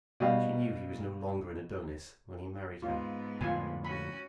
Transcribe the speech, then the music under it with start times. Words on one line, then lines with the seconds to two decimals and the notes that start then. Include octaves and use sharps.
"She knew he was no longer an Adonis when he married her."
0.20 B2 G3 F5
2.82 G#2 B3 F4
3.41 F2 A2 D3 F4 G#5
3.85 C#4 F#4 B5